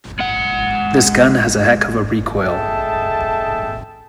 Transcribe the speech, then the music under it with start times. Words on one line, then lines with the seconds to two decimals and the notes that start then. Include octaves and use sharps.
This gun has a heck of a recoil.
0.19 G#3 F#5
2.38 G#4 A4 D#5 E5 G5 A5